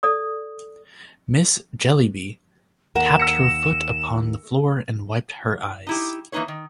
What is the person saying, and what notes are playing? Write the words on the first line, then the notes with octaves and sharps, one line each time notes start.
Miss Jellyby tapped her foot upon the floor and wiped her eyes.
A4 D5 D#6
D#2 A#4 F#5 E7
E6 A#6 C#7
D#4 E4 G4
E3 A#3 B3 D#4 B4 C#5
D#3